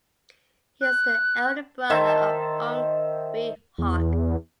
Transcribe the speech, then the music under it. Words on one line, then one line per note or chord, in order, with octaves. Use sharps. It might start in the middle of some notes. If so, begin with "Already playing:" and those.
He is the elder brother of Ong Ewe Hock.
F#6
D#3 C5 E5 A5
E2